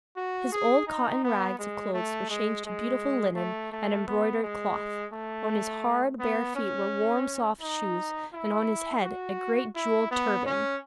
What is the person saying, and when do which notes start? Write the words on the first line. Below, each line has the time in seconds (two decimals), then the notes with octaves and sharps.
His old cotton rags of clothes were changed to beautiful linen and embroidered cloth; on his hard, bare feet were warm, soft shoes, and on his head a great jewelled turban.
0.16 F#4
0.52 G#4
0.87 D#4
1.23 B3
1.59 G#3
1.93 A3
2.30 G#3
2.65 G#3
3.35 A3
3.72 A3
4.07 B3
4.43 G#3
5.13 A3
6.19 B3
6.55 C#4
7.61 D#4
8.33 E4
9.03 F#4
9.75 E4
10.11 B3
10.46 C#4